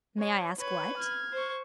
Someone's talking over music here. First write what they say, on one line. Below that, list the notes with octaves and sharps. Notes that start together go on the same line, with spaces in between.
"May I ask what?"
C#5
B4 C#5
F6 G#6
C5 C#6